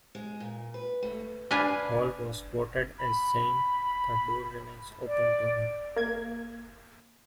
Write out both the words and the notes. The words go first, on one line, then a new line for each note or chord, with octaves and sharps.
Hall was quoted as saying "the door remains open to him".
G#3
A#2
B4
A3
D4 B4 F5 G#5
B5
D5
A#3 G#6